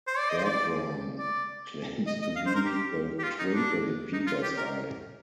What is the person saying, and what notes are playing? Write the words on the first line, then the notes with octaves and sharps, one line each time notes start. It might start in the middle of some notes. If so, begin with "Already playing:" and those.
Bertram claims to be the twinkle in Peter's eye.
C5
D5
D#5
C5
D5
D5
D#5
D#5
F5
C5
A#4
G4
G4
F4
D#4
D4
D#4
F4
G4
A#4